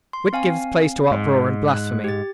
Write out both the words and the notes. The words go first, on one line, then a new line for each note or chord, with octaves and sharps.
Wit gives place to uproar and blasphemy.
C6
C4 F5 G#5
G#2
F#6
G4 A6